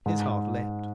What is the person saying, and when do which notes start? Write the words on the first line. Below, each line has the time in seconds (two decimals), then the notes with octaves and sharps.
His heart leapt.
0.06 G#2